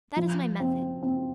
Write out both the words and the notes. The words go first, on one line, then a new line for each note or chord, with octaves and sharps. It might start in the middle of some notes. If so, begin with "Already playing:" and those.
That is my method.
F3
C4
C4